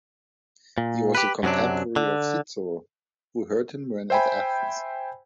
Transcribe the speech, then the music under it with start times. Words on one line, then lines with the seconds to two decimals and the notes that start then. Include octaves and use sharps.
He was a contemporary of Cicero, who heard him when at Athens.
0.78 A#2
1.15 G4 B4
1.43 F#2 C3 F#3 D4
1.96 D3
4.10 C5 E5 G5 G#5 B5